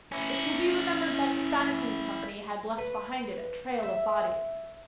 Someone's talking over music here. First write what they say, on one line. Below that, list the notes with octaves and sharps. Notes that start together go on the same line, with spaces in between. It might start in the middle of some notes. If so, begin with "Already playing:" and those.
It will be remembered that Fannicot's company had left behind it a trail of bodies.
C#4 E4
B4
E5